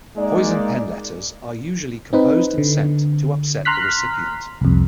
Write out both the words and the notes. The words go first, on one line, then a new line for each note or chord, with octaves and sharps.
Poison pen letters are usually composed and sent to upset the recipient.
G#3 A#3 D#4 D5
C4 D#4 B4
D3
A#5 C6 F6 F#6 B6
C2 F2